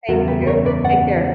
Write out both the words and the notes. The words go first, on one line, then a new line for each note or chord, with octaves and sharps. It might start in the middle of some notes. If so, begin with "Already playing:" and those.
Thank you. Take care.
E2 C#3 G3 F#4 A#4
G4 B4
B4
A#4 C#5
B4 D5
D5 F#5